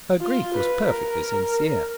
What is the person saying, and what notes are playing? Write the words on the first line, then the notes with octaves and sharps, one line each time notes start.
Her grief was perfectly sincere.
F4
B4
A#4